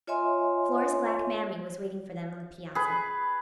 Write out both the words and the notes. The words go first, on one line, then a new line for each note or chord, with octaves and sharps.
Flora's black "Mammy" was waiting for them on the piazza.
F4 C#5 D#5 E5 G#5 C6
G#4 B4